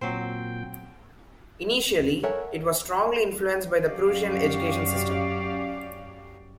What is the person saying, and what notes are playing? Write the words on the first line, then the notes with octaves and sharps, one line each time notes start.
Initially, it was strongly influenced by the Prussian education system.
A#2 F#3 C4 C5 G5
A4 A#4 C#5 E5 F#5 G#5
F#2 C#4 F#4 G4 D5 F5